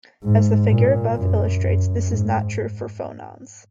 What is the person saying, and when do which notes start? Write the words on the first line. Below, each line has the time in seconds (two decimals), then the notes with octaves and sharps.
As the figure above illustrates, this is not true for phonons.
0.23 G#2
0.70 A#2
1.16 F#2
1.62 F#2
2.08 G#2